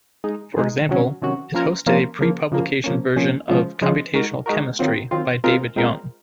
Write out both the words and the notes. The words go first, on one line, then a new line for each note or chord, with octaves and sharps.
For example, it hosted a pre-publication version of "Computational Chemistry" by David Young.
G#3 D#4 G#4
G#3 D#4 G#4
C3 D#3 F#3 C#4 F#4
C3 D#3 F#3 C#4 F#4
F3 A#3 C#4 F4 A#4
F3 A#3 C#4 F4 A#4
C#3 F3 A#3
C#3 F3 A#3
F3 A#3 C#4
F3 A#3 C#4
C#3 F3 G#3 C#4 F4
C#3 F3 G#3 C#4 F4
G#3 D#4 F#4 A#4
G#3 D#4 F#4 A#4
D#3 F#3 C4 F4
D#3 F#3 C4 F4
G#3 C4 F4 A#4
G#3 C4 F4 A#4